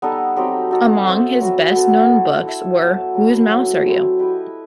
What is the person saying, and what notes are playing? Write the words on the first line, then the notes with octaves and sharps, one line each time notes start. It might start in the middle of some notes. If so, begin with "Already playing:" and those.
Among his best known books were Whose Mouse Are You?
G3 B3 D#4 A4
F#3 C4 D#4 G4
D#4 F#4 A4
C4 F#4 C5 E5
F#3 B3 F#4
B3 F#4 A4 C5
A3 E4 A4 C5
E4 A4 E5
F#3 B3 E4 B4
F#3 B3 E4
F#3 C4 E4
F#3 C4 E4
E4 G4 B4 D#5